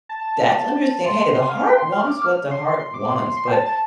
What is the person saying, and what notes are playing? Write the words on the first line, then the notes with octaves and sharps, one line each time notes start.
That's understa hey, the heart wants what the heart wants, but
A5
A5
C6
C6
C6
F5
G5
C6
F6
D6
F6
C6
C6
D6
C6
C6
G5
A5
A5